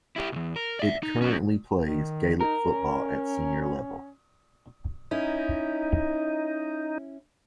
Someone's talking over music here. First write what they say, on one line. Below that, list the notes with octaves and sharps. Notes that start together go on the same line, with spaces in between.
It currently plays Gaelic football at Senior level.
E4 G4
B1 E2
A#4
D5 E5
D#4
C#4 F#4
D#3
D#4 A#4
C#4
C#4 D#4 E4